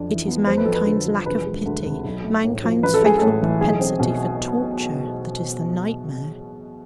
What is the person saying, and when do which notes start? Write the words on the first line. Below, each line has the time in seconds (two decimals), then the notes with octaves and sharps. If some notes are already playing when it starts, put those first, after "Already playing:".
It is mankind's lack of pity, mankind's fatal propensity for torture, that is the nightmare.
Already playing: F2 D4
0.09 E3
0.28 B3
0.47 F2 C5
0.57 B4
0.66 F2 A4
0.75 B4
0.87 D3
1.06 F3
1.26 E1 B4
1.46 G#3
1.66 D2
1.85 C3
2.04 B1
2.24 A3
2.44 A2
2.64 F3
2.83 A1 B4
2.94 A4
3.02 G#3 G#4
3.18 A2 A4
3.42 E3
3.61 B1 G#4
3.80 C4
4.00 B2